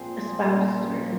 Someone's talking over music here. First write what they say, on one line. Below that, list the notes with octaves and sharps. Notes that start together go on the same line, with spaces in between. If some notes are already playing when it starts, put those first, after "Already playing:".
a spouse or
Already playing: A#2 F3 C4 G#4 C5
A#2 F3 A#3 C#4